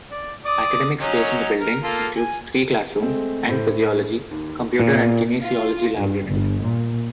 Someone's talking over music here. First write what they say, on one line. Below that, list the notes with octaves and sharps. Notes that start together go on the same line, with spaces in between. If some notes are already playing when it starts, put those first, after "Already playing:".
Academic space in the building includes three classrooms, and physiology, computer and kinesiology laboratories.
D5
D5 D6 D#6
F#3 C#4 D#4
A#4
A#3 F4 A4
G#5
G#3 A3 C4
A2 C5
D#2
A#2 B3
F4
G2
G1
A#2